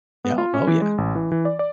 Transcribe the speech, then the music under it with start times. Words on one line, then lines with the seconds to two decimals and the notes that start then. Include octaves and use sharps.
Yeah, oh yeah.
0.25 B3
0.38 F4
0.54 C#4
0.67 E3
0.82 G#3
0.98 A1
1.15 E3
1.32 E3
1.45 D5
1.59 D5